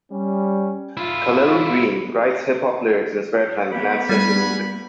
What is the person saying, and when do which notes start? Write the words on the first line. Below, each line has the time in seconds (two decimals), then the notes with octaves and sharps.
Khalil Greene writes hip-hop lyrics in his spare time and adds them to music.
0.11 G3 C#4
0.97 E4 F4
3.72 A#3 B3 B5
4.09 G3 F#5 G#5